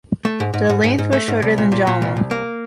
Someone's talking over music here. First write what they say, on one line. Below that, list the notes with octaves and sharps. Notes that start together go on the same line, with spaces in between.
The length was shorter than Jama.
A3
G#2
G#2
G#2
G#2
G#2
A3
G#2
C2
A#2
A#2
A#2
C2
C2
A#3